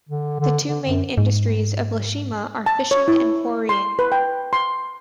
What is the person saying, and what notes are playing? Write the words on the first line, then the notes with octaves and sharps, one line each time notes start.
The two main industries of Ieshima are fishing and quarrying.
D3
D3
D3
F#2
G#2
A5
C#5
E4
C6
B4
G5
C6